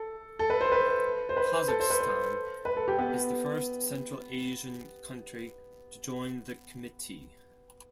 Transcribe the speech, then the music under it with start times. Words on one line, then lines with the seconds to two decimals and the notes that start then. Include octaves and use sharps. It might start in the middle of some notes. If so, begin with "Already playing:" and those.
Kazakhstan is the first Central Asian country to join the Committee.
Already playing: A4
0.39 A4
0.50 B4
0.61 C5
0.72 B4
1.29 C5
1.37 B4
1.68 A4
1.80 C5
1.90 B4
2.01 C5
2.65 B4
2.77 A4
2.88 G4
2.99 B3